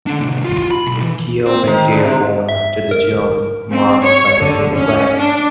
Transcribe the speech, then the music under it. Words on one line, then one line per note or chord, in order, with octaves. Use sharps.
The skier went airborne after the jump marked by the blue flag.
D3 D4
A2 C3
F4 F#4
B5
B1
E3
C4
D#3
D3
C3
E5
A#4
C4
C#5
D3
C#4
D4